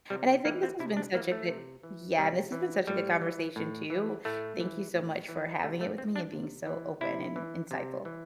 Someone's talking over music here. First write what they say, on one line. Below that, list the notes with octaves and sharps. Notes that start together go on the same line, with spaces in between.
and I think this has been such a good Yeah, this has been such a good conversation too, thank you so much for having it with me and being so open and insightful.
C3 G3
E3 A#3
C4
C3 E4
D4
E3 A#3
A3
C3
E3
C3 G3
E3
A2 G3
E3
A2
E3
A2 A3
E3
A2
E3
C3 A3
A3
E3 C4
D4
C3
E3
C3 E4
E3
C3
E3